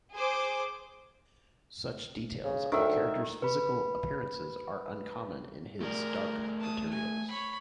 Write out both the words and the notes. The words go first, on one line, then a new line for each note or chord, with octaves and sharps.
Such details of a character's physical appearances are uncommon in "His Dark Materials".
G#4 C5 D6
C#3
D2 D#3 E5
B4 B5
A3 G#4 A#4 D5
A5 D#6
G#5
C#5 B5